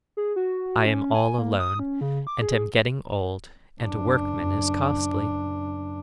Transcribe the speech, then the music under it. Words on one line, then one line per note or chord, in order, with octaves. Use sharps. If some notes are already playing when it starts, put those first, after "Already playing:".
I am all alone, and am getting old, and a workman is costly.'
G#4
F#4
C#4
G#5
A#3
D#6
C#4
C#3
D6
G#4
F#1 D4